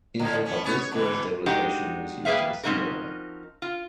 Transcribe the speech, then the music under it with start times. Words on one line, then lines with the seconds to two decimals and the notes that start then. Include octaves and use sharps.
In helicopters, auto-stabilization was used in a similar way.
0.19 D3 F3
0.45 A2 A3 C#4
0.64 B3 C#4 C#5
0.80 C#5
0.92 B2 D3 E3
1.46 G#3 D4 D#4 F#4 G4
2.25 G3 A#3 G#4 B4 E5 F5
2.63 F3 C4 C#4 D#4 F#4 A#4
3.62 F4